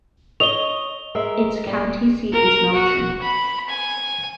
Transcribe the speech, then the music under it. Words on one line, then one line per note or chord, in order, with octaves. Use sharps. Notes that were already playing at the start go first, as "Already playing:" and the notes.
Its county seat is Milton.
C#5 D#5 F7 G7
G#3 A#4 E5
G3
A#4
F#4
B5
G#5